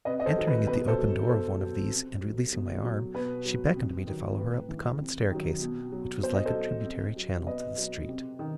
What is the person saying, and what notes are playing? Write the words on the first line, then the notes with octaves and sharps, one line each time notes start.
Entering at the open door of one of these, and releasing my arm, she beckoned me to follow her up the common staircase, which was like a tributary channel to the street.
C3 B4 D#5
D#5
A4 C5
D#3 F#3
B4
B2 B4
A4 C5
F#3
B2 A4 C5
F#3
C3
F#3
B2
F#3
B2 B4
F#3
C3
D#3 F#3
A2 B4
E3
C3
D#3 F#3
B2
F#3
B2 C5
D#5
A4 C5
F#3
C3
F#3
B2 B4 D#5
F#3
C3
D#3